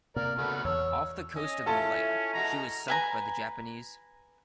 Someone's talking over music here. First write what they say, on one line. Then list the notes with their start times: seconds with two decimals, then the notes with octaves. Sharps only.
Off the coast of Malaya, she was sunk by the Japanese.
0.16 C3 A#3 A#4 D5 F6
0.38 C#3 A3 B3 F#4
0.64 E2 C#5 E6
1.36 C#4 D#5
1.66 C#4 E4 F4 A4 A5
2.33 B2 G#3 F#4 A#5
2.88 B4 G#5 A#5